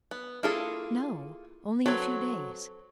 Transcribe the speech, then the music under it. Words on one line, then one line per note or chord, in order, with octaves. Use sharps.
"No; only a few days."
B3
A#3 E4 F4 G#4 A4
F#3 C4 A4 B4 C#5